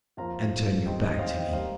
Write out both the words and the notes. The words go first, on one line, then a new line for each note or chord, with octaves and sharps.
"And turn your back to me."
F2 F3 A#3 F4 F5 A#5
C3 D#3 C4 D#5 G5
D#5 G5
C5 F5
D#5 G5
G3 A#3 C5 F5